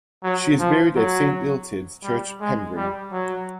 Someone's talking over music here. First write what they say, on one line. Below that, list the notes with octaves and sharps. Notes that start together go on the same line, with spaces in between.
She is buried at Saint Illtyds Church, Pembrey.
F#3
F3
F#3
G3
G#3
G3
F#3